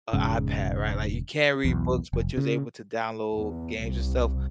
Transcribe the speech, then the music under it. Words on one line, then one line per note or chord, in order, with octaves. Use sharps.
a iPad, right, like, you can't read books, but you was able to download games and stuff,
E1 G#2 C#3
B1 E2
F1
C#3
E2
C2